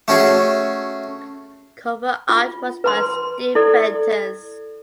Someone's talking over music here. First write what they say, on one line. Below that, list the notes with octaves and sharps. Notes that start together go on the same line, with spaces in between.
Cover art was by Steve Venters.
A3 C#4 F#4 G#4
F4
B4 A#5 C6
E4 A4 D5